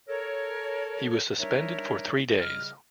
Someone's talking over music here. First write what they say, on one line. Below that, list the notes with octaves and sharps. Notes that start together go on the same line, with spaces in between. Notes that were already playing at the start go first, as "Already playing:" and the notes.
He was suspended for three days.
A4 A#4 C#5
G3 D4 D#4 A#4 C#5 E5
C#3 G3 D#5 F6